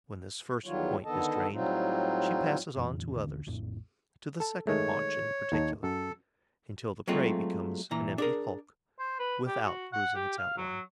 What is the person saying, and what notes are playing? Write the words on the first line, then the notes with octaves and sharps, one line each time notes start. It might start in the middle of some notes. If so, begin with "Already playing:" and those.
When this first point is drained, she passes on to others, to the second haunch in particular, until the prey becomes an empty hulk without losing its outline.
E2 D#3 F#3 G3 F4 C#5
D3 D#3 B3 A4 D#5 A5
A2 F#3 G3 C4 D#4 F4
F#1 F2 A#2 E3
A1 D#2 D3
A#1 F2 A2
A4 A5
D#3 G#3 A3 C#5
D#2 D#4 A5
F#2 A4
F#3 G#3 A3 C4 F4
A#2 E3 A#5
D4 G#4 A#4
C5
B4
G4
F#4
F#5
G4
F5
F#3